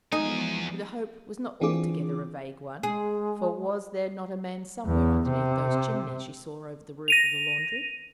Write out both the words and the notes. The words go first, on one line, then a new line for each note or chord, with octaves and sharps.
But the hope was not altogether a vague one; for was there not a man somewhere underneath those chimneys she saw over the roof of the laundry?
E2 F3 G#3 B3 D#4 G#5
E3 C4 D4 F4 G#4 D6
G#3 G#4
E2
C3
A#6 D#7 F7